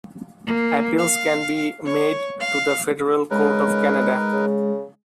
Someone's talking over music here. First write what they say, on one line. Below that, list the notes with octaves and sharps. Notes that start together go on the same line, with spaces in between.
Appeals can be made to the Federal Court of Canada.
A#3
F5
C#5
F5
C#3 G#3 D#4 A#4 B4
C#3